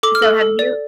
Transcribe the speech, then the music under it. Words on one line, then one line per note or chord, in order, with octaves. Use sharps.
So have you
A4 D6
F6
A4
A4
D5